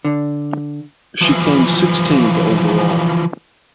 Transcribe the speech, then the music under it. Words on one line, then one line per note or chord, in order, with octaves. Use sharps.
She came sixteenth overall.
D3
E3 F3